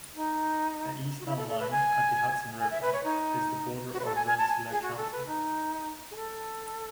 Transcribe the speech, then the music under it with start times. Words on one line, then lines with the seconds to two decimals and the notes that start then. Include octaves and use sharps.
The east town line, at the Hudson River, is the border of Rensselaer County.
0.15 D#4
1.20 F#4
1.26 E4
1.37 A4
1.48 A4
1.60 B4
1.71 G#5
2.59 G#5
2.71 E5
2.82 B4
2.93 C#5
3.04 D#4
3.93 F#4
4.00 B4
4.05 A4
4.16 G#5
4.26 G#5
4.38 A5
4.49 G#5
4.71 G#4
4.82 F#4
4.97 A4
5.12 B4
5.27 D#4
6.11 G#4
6.16 A4